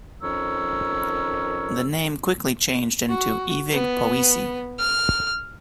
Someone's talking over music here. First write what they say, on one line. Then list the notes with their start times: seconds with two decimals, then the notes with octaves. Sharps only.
The name quickly changed into Evig Poesi.
0.22 F2 D#3 C#4 A#4 C#5 E6
3.09 F#4
3.73 B3
4.79 F6